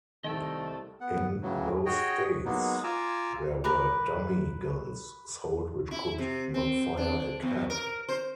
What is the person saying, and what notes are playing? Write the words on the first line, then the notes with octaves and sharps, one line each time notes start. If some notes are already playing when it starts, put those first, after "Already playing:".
In those states, there were "dummy" guns sold which could not fire a cap.
C2 D#3 G3 A3 D#5 G5 E6
B3 F#5
A2 C#3 E3 F#3
F#4 G#4 C#5 D#5 G5
F#3 G#3 A#3 B3 D#4
F4 G#5 A#5 D6 E6
A#4 B4 B5 D6
E4
C3
C4
D4
E2
A#4
C5